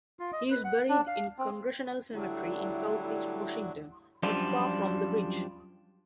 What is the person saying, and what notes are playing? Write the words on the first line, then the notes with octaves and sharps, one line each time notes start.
He is buried in Congressional Cemetery in Southeast Washington, not far from the bridge.
F4
D#5
B4
F#5
D4
F5
C4
D3 F#3 G3 A3 E4
F#2 F3 G3 D4 F4